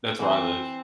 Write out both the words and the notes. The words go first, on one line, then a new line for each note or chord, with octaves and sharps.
That's where I live,
E3 C4